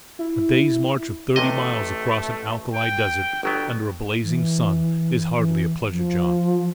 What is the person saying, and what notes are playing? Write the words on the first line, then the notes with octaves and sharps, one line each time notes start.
A day's march of thirty miles across an alkali desert, under a blazing sun, is hardly a pleasure jaunt.
E4
A1 C3 A3 D#5
G5
G1 F#3 B3 G5
E3
E3
F3